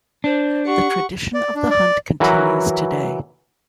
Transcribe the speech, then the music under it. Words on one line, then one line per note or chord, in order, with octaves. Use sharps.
The tradition of the hunt continues today.
D4 C5
G4 F#5 C#6
D5
D4
D5
E3 F#3 F#4 A#4 B4